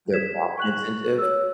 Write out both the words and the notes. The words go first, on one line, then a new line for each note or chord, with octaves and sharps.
their profit incentive,
G#6 B6 E7
C#6 F#6 F#7
C#5 E6